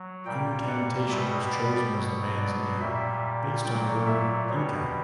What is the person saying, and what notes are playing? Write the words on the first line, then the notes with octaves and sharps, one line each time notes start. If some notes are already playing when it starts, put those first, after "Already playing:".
Incantation was chosen as the band's name, based on the word "Inca".
Already playing: F#3
A#2 G3 G5
F#5
B2 G3 E5
D5
B2 F#3
D5
A#2 G3 E5
A#2 F#3 G5
E5
B2 G3 C#5